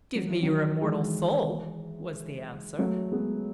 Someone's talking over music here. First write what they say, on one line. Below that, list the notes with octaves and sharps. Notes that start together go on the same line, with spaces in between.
"Give me your immortal soul," was the answer.
F#3
E3
D#3 F#3
E3 G#3
F#3 A3
G#3 B3